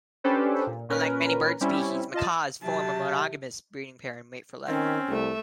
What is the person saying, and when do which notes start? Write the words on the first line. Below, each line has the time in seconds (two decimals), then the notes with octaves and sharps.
Unlike many bird species, macaws form a monogamous breeding pair and mate for life.
0.24 C#4 D4 G4 A4 B4 C5
0.67 A#2
0.89 A#2 C#4 A#4 B4
1.61 G3 C4 C#4 E4
2.14 F4 D#5 A5
2.62 C3 F#3 A5
4.68 D#3 C4 C#4
5.09 C2 A3 E5